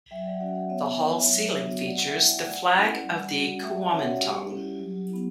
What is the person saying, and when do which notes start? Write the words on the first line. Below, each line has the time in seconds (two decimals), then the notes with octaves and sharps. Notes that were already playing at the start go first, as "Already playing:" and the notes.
The hall's ceiling features the flag of the Kuomintang.
0.11 F#3 E5 G5
0.26 D5 F#5
0.40 C#4 F#4 D5 F#5
0.55 D5 F#5
0.69 B3 C#5 E5
0.99 E4
1.28 F#3
1.57 B3 D4 F#4
1.87 A3 D5 F#5
2.06 E5 G5
2.16 E4
2.45 A3 D5 F#5
2.75 C#4 E4
3.04 G3
3.33 C#4 F#4
3.63 A3 E5 G5
3.77 D5 F#5
3.92 C#4 F#4 C#5 E5
4.07 D5 F#5
4.21 G3 G4
4.50 C#4 E4
4.80 F#3
5.09 B3 E4